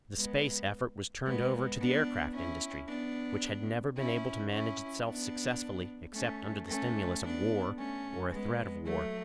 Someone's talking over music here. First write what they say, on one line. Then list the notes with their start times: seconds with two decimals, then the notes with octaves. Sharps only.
The space effort was turned over to the aircraft industry, which had never been able to manage itself successfully except under the stimulus of war or a threat of war.
0.16 G#3 B3
1.25 G#3 B3
1.79 B3 D4
2.34 C#4 E4
2.88 B3 D4
3.96 C#4 E4
4.51 C#4 E4
5.05 B3 D4
6.14 A3 C#4
6.68 A3 C#4
7.22 B3 D4
7.77 A3 C#4
8.32 G#3 B3
8.85 F#3 A3